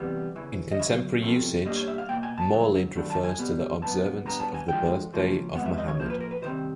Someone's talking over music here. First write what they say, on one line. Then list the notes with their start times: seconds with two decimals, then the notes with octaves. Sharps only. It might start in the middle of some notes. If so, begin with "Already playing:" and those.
In contemporary usage, Mawlid refers to the observance of the birthday of Muhammad.
Already playing: E2 C3 E3 G3 B3
0.36 E2 C#3 E3
0.71 D#5
0.79 D2 C#3 F#3 E5
1.22 C2 C3 F3 A3
1.65 B2 G3 A#3 D4 D#5
1.76 C#5
1.88 E5
1.98 F5
2.09 B2 F#3 A#3 G5
2.23 G#5
2.38 A5
2.53 F2 C#3 F#3
2.95 G2 D#3 F#3 A3 D4
3.10 A5
3.24 G#5
3.38 B2 G3 B3
3.82 B2 F#3 B3 A5
4.26 A#2 G3 B3 D4 A#5
4.40 A5
4.54 G#5
4.68 D2 D3 F3 G#3 G5
5.13 C#2 C#3 F3 A#3 C#4
5.55 F2 C3 F3 G#3 B3 F#5
5.66 E5
5.78 D#5
5.88 C#5
5.99 A2 F3 A#3 C5
6.10 B4
6.20 A#4
6.31 B4
6.42 C3 D#3 G3 C4 C5